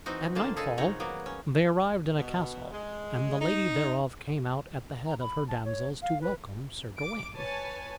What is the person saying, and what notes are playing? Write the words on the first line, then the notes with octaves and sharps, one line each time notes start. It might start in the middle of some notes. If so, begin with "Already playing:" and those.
At nightfall they arrived at a castle and the lady thereof came out at the head of her damsels to welcome Sir Gawain.
E3 C4 D#4 F#4
D3 A#3 F4 A5
C#3 G#3 G#4 A4
A#2 D#3 C4 C#5 F#5 A#5
F#3 A#3 B3
C#4
B2
G#3
D#4
A#5
B5
A5
C#5
F5
B4
D6 D7
B4 C#5 G#5 A5